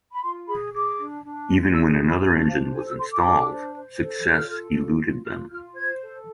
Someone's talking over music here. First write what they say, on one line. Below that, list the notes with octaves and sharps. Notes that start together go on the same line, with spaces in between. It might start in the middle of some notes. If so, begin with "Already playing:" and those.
Even when another engine was installed, success eluded them.
B5
F4 C6
G#4 B5
G#4 D6
D4
D4
F4
G#4 E6
F4
B5
D4 G#5
C5 F5
A4 G#5
E6
A4 C6
D6
D4
C5
C5
A4
F4 F6
A4
F4
F4
F4 F6
F4 F6
C5 G#6
A4